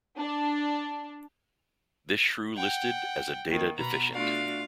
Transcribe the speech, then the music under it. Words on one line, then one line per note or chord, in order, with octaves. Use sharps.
This shrew listed as a "data deficient".
D4
F#5 G5
D#3 A#3
B2 B3 A#5 B5
A3 D4 F4 F#4 F5